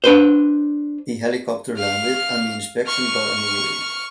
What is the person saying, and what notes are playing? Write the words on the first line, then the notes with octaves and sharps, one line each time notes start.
The helicopter landed and the inspection got underway.
D4 B4 C5
F5 F6
C#6 F6